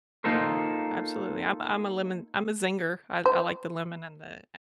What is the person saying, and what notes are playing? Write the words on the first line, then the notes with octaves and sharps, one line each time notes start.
absolutely, I'm I'm a lemon I'm a zinger, I I like the lemon and the
A#3 D#4 F4 A4 A#4 C5
C5